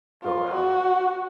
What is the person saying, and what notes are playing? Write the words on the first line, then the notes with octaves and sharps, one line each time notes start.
go out.
F4
F#4